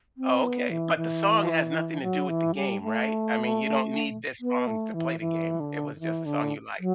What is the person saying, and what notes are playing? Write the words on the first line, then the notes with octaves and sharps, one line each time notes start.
Oh, okay. But the song has nothing to do with the game, right? I mean, you don't need this song to play the game, it was just a song you liked.
C4
B3
E3
E3
F#3
E3
G3
A3
B3
A3
E3
E3
D3
D3
E3
D3
F#3